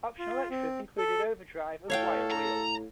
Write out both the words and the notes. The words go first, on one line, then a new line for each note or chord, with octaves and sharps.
Optional extras included overdrive and wire wheels.
F4
C4
A4
A2 A4 C#5 F5 G5
A#5